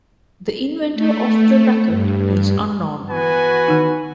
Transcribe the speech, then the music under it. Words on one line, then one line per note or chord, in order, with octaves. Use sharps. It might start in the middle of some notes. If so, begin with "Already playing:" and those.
The inventor of the rackett is unknown.
A3
G2
E3 B3 F#4 B4 G#5
D#3 D#4